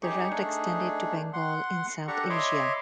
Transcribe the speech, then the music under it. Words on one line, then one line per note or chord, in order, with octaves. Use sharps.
The route extended to Bengal in South Asia.
F#2 D#4 G4 G#4 C#6
A3 D4 D#4 G#4
F#5 C6
D4 G4 A4 F#5 A#5 C#6
C#5 D#5 E5 B5 C6 D6